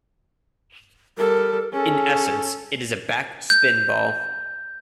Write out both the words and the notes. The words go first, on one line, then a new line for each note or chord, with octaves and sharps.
In essence it is a back spin ball.
G3 A4 A#4
C#4 G#4 A4
G6